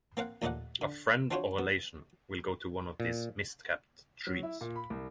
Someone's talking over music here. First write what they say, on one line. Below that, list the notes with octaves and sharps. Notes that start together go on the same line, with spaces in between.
A friend or relation will go to one of these mist-capped trees.
A#3 C4 F5 F#5
D#2 A#2 A3 D#4 D5 F#5
D3
C4 D4 F4 F#4 C5 C#5
B3
A#2
F#3
E4
A#2
B5
C2